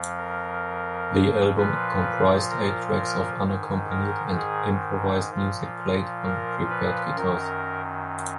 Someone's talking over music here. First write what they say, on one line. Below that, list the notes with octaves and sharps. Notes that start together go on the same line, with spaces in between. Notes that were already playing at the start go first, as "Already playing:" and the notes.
The album comprised eight tracks of unaccompanied and improvised music played on prepared guitars.
Already playing: F2 F3
A#4
A#2 F3 B4
A#4
A#4
G#2 D#3
A#4
G#4
A#2 F3
A#4
B4
F#2 D#3 A#4